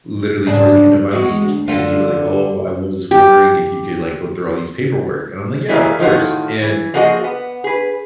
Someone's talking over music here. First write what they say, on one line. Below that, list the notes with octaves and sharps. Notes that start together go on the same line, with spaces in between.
literally towards the end of my week. And he was like, "Oh, I was wondering if you could, like, go through all these paperwork?" And I'm like, "Yeah, of course." And,
G#2 C#3 D4
G#3 F4 F#4
D2
D3 F4
G4
B2 E3 G3 A#3 G#4 A#4
A2 D#3 F3 F4 F#4
E3
F3 A#3 F#4 G#4 C#5 D#5
B3
G#4 B4